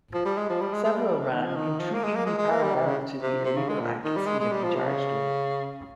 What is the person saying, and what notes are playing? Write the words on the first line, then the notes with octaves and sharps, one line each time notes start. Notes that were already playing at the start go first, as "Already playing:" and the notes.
Several ran intriguingly 'parallel' to the illegal acts he had been charged with.
F3
G3
G#3
F3
G3
G#3
G#3
G3
G3
C3
D#3
F3
D#3
F3
A#3
G#3
A#3
G#3
G#3
A#3
G3
C3
C#3
C3
C3
C#3
G#3
A#2
D#3
G3
G#3
G#3
G3
F3
C3
C#3